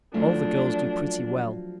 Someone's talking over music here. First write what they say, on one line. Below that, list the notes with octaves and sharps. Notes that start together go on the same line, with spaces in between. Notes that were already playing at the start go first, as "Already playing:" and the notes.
All the girls do pretty well.
F3 F#3 A3 D4